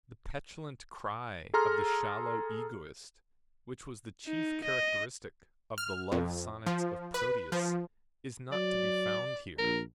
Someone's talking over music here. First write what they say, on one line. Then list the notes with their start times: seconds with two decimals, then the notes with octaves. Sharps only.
The petulant cry of the shallow egoist which was the chief characteristic of the Love Sonnets of Proteus is not to be found here.
1.54 G#4 A4 A#5 C6 F6
4.28 D#4
4.64 D#5
5.78 F6
6.12 F2
6.66 F3
7.14 B4
7.52 F3
8.52 F#3 D5
9.58 A#1 A#4